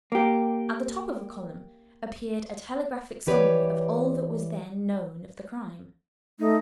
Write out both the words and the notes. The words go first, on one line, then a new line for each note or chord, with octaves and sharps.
At the top of a column appeared a telegraphic summary of all that was then known of the crime.
A#3 G4
E3 G4 B4 C#5 D5
A3 D#4